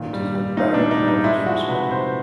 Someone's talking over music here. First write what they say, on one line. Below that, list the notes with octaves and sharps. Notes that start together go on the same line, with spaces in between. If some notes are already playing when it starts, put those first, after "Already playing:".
It is a parody of James Bond.
Already playing: A#2 D#3
G3
G3
A#2 D#4
D4
A#2
D#4
G3
D#4
G#3 E4
F3 F#4
C3 B4
C3 C5